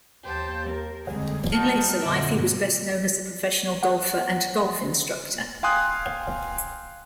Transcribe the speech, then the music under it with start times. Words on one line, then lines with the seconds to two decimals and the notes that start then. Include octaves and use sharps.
In later life, he was best known as a professional golfer and golf instructor.
0.23 D#2 G4 C5 A5
0.67 A#4
1.06 F2 D3 G3 G#3 G#4
1.52 G3 D#4 F#4 A5 F6
2.00 F2 A#2 D3 E5 D6
2.29 G2 B2
3.83 F#5
5.63 F5 G5 G#5 C6 D#6 F#6